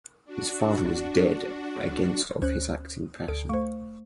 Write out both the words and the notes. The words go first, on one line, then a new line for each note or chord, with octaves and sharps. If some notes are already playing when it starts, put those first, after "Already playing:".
His father was dead against of his acting passion.
D4 F#4
D2 C#4 C5 F#6
D2 A4 D7
A3 C5 C#6